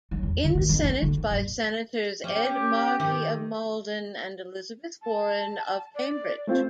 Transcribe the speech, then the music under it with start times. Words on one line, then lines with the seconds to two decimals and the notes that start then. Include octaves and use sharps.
In the Senate by Senators Ed Markey of Malden and Elizabeth Warren of Cambridge.
0.11 F#3
0.23 E2
0.44 D3
0.55 D#3
0.69 F2
0.84 A3
1.02 D3
1.17 G#2
1.31 D#1
2.24 C#4 G4
3.00 D#3
5.02 A5
5.95 D5
6.47 A3 C4 F4 C5